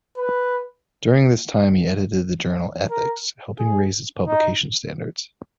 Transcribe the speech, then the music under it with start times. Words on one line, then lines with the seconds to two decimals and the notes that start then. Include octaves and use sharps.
During this time he edited the journal "Ethics", helping raise its publication standards.
0.17 B4
2.90 A#4
3.59 G#4
4.27 D#4